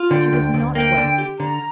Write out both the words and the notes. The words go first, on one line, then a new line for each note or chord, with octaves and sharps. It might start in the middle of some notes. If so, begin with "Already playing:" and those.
She was not well.
Already playing: F4
D3 G5
D2
D2
A#3 G5
D3
G4
D3 A#5